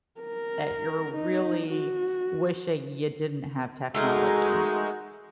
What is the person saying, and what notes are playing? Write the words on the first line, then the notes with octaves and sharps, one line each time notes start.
that you're really wishing you didn't have technology.
A#4
D#4
F#4
G#3 A3 D#4 F#4 G#4 A#4